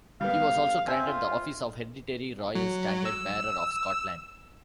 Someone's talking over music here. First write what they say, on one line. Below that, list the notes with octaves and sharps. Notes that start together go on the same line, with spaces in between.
He was also granted the office of Hereditary Royal Standard-Bearer of Scotland.
G3 B3 F5
C4 C5 E5 G#5
F4
F#3
E6